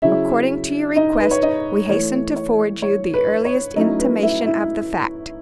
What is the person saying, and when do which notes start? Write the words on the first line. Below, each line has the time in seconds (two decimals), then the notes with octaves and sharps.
According to your request, we hasten to forward you the earliest intimation of the fact.
0.02 C#3 F#3 C#4 E4 E5
0.96 D#4 D#5
1.20 B4
1.31 C#5
1.43 D#4 D#5
1.89 E3 A3 E4 C#5
2.36 C#5
2.82 C#5
3.14 B4
3.45 C#5
3.76 F#3 A3 C#4 D#4 E4 D#5
3.99 B4
4.23 E4 E5
4.46 E4 E5